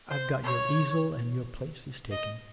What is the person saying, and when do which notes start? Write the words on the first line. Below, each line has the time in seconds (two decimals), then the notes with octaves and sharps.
I've got your easel, and your place is taken.'
0.10 C5
0.43 C#5
2.11 D#5